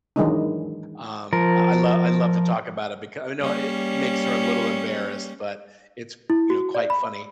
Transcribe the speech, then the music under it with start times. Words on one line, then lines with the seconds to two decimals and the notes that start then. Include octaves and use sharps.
um, I lo I love to talk about it beca you know, it makes her a little embarrassed, but it's, you know, quite funny.
0.16 D#3 E3 F#3 G#3 D4 D#4
1.33 F3 A#4
3.41 G3 A#3 C#4
6.30 E4
6.50 F#4
6.75 D5
6.90 B5